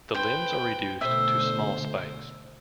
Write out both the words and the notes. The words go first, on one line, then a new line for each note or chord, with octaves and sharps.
The limbs are reduced to small spikes.
B4 C5 G5
B2 D3 A3 C5 E5